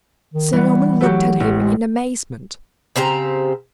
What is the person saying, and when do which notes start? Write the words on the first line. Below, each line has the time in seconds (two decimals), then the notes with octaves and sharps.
Sir Norman looked at him in amazement.
0.34 D#3
0.53 E3 G3 B3
1.01 F#3 A3 F#4 G4
1.40 A1
1.58 G#3
2.96 C#3 C4 G4 A#5